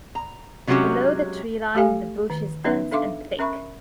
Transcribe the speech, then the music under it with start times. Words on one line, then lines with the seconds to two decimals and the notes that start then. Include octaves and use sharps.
Below the tree line the bush is dense and thick.
0.15 A#5
0.67 C3 F#3 G#3 C#4 F#4 G4
1.75 A3 G4 A4 F5 G#5
2.30 D#3
2.64 B3 C#4 D#4 B4 E5
2.91 D4 A4 E5 F5 C6 D6
3.39 C#4 A#4 E5 B5 C#6